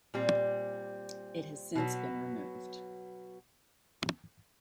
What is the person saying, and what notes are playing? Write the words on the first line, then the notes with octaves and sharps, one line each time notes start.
It has since been removed.
A#2 G3 C4
B2 F#3 B3